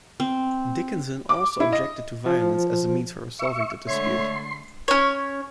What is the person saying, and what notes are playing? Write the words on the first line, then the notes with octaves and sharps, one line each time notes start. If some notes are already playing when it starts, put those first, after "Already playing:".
Dickinson also objected to violence as a means for resolving the dispute.
C4
D6
E4
D#5
F3
E5 C#6
D3 G#3 A3 C#5 E5 C6
C#4 C#5